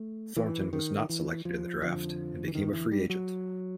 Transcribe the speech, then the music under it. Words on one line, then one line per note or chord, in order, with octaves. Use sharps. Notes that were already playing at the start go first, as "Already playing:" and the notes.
Thornton was not selected in the draft and became a free agent.
Already playing: A3
E3
D#3
E3
F3
F2 D3 F3
E3
D#3
E3
G3
F#3